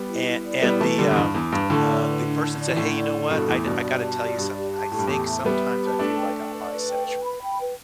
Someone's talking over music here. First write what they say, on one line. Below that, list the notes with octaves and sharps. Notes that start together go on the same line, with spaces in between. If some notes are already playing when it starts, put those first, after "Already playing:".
an and the, um uh, the person said, "Hey, you know what? I do I gotta tell you something. I think sometimes I feel like I'm bisexual,"
Already playing: G3 B3 G4
E4
E4
D5
G3 B3 E4
E3 A3 B4
D3 G3 G4
E2
G2 E4
E2 E4
G2 B4
A2 D3 A5
D5
B4
D4
A5
D5
E3
A2 D3 E4
D5
A4
G2 B2 E4
E2 A2 E4
G2 B2 D5
G4
A5
D5
G2 G4
G4
A5
A2 G4
G2
E2 A2 A5
E5
G3 B3 G4
G4
A5
A3 D4 B4
G5
D5
B4
B4
G5
B4
B5
G5
B4